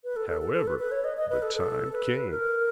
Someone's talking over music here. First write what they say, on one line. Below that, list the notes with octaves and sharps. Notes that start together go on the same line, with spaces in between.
However, the time came.
B4
A4
A4
A4
A4
B4
B4
C#5
D#5
D#5
B4
A4
A4
B4
A#4